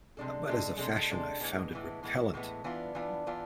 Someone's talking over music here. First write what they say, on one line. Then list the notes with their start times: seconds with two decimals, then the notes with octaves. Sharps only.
But as a fashion I found it repellent.
0.17 C3 G#3 D4 A4
0.47 C3 G#3 D4 A4
0.79 C3 G#3 D4 A4
1.10 C3 G#3 D4 A4
1.40 A2 E3 G#3 B3
1.72 A2 E3 G#3 B3
2.03 A2 E3 G#3 B3
2.34 A2 E3 G#3 B3
2.64 E3 B3 D4 F4
2.95 E3 B3 D4 F4
3.27 E3 B3 D4 F4